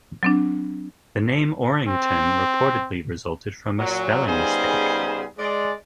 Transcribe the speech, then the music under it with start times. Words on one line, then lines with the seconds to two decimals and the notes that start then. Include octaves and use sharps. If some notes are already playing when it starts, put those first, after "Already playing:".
The name "Orrington" reportedly resulted from a spelling mistake.
0.23 F#3 C4 D4
1.88 C4
3.78 A#2 F#3
4.26 C#3 G3 B3 D#4 G#4 C5
5.38 G#3 D5